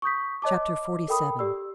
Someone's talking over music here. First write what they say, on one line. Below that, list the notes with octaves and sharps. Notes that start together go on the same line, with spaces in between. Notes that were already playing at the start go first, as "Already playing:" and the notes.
Chapter XLVII.
C#6 D#6 G6 B6
C#5 D#5 A5 D6
A4 A#4 G5 B5 D#6
G4 D5 E6